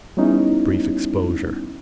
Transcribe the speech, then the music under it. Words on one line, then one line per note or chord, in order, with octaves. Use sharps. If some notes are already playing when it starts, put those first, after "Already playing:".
Brief exposure.
G3 B3 C#4 D#4 E4